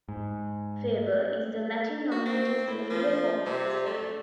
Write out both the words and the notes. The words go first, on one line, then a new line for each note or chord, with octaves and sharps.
"Faber" is the Latin nominative singular form of his surname.
G#2
F#4
C4
A2
F3
C3
A3